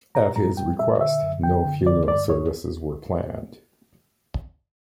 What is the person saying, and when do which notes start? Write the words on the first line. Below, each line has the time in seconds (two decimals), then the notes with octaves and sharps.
At his request, no funeral services were planned.
0.15 A#2 A#5
0.36 G3 A#5
0.57 G3 G5
0.79 A#2 E5
1.01 D3 E5
1.22 F#2
1.43 F#2 G5
1.65 D3
1.86 G2 D5
2.08 G2 D5
2.29 G2 C#5